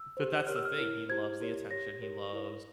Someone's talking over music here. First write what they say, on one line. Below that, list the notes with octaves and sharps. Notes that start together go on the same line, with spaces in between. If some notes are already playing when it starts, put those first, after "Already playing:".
but that's the thing, he loves the attention, he loves
Already playing: E6
G4 C5
G4 A#4 C#5 F6
E6
F6
E4 A#4 C#5
E4 G4 C5 G#6
E4 G4 A#4 C#5
G4 C#5 A#6
G4 A#4 C#5
E4 A#4 C#5